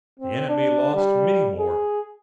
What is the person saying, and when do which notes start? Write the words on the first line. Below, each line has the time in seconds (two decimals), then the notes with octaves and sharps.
The enemy lost many more.
0.20 C4
0.49 D4
0.95 G3
1.59 G#4